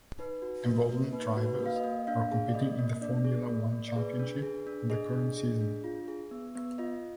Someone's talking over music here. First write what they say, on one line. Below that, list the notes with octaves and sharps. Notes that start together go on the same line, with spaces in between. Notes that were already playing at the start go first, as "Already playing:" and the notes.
Embolded drivers are competing in the Formula One championship in the current season.
D#4 B4
F#4
A#3
A#3
D#4 B4
F#4
B4
A#3
F5
D#5
A#3
D4 F5
G#4
D5
A#3 D#5
A#3
D4 D5
G#4
A#3
A#3
D5
G#4 B4
D4
G#4
D4
G#4 D#5
D4
G#4
D4
F4
G#4
B3
B3
F4 D#5